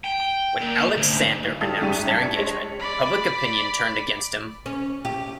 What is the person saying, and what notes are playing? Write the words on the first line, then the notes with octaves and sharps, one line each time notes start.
When Aleksandar announced their engagement, public opinion turned against him.
G5
A#2
D2 G#2
B1
G3 A4 D#6 F6 A6
F#1 G#2 G3 G4 G#4 D#7
A5 G#6 A6 B6 C#7
D4
G#3 C#5 A#6
D5 B5
C#4
G4